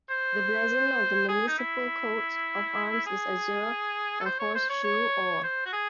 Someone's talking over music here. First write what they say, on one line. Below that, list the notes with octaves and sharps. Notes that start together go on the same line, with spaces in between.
The blazon of the municipal coat of arms is Azure, a Horse-shoe Or.
C5
G#4
D#4
E4
G#4
A4
C5
C#5
C5
C#5
C#5
C5
F#4
G#4